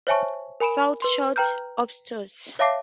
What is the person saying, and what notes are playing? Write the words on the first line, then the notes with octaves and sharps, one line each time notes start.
Snout short., obtuse.
C5 C#5 E5 G#5 A5 C#6
A#4 G#5 B5 D7 E7
B4 C6
B4 G5 A#5 F6 G6
C#5 E5 F5 A5 D6 C7